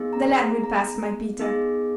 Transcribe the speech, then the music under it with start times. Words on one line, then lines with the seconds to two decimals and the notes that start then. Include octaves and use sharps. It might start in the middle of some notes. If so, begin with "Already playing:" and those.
'The lad will pass, my Peter.
Already playing: B3 D#4 G#4
0.13 A#5
0.38 A#5
0.64 A#5
1.39 B3 D#4 G#4